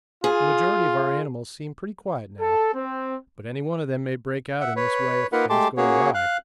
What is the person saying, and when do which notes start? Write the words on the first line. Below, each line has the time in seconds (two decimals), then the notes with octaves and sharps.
The majority of our animals seem pretty quiet now, but any one of them may break out in this way if things go awry.
0.24 F4 G#4
2.40 A4
2.74 C4
4.61 E5 F#5
4.76 B4 C#5
5.32 A#3 D#4 F4 A#4 B4 F#5
5.49 G#3 A3 G4 A5 C6 D6
5.77 A#3 C#4 F#4 G#4 C#5
6.14 F5 F#6